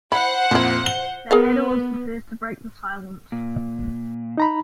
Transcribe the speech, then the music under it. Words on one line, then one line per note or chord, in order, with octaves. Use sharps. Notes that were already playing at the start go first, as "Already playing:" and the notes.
The Hatter was the first to break the silence.
E4 C5 F#5 B5
F2 A#2 F3 E4
G7
B3 G#4 A#4 F5
A#2
D#4 A#5 B5